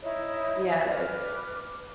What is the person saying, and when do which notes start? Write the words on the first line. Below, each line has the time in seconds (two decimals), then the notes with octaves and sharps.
Yeah, it is.
0.02 D#4 E4 C#5 D#5
0.90 B4 D6 F6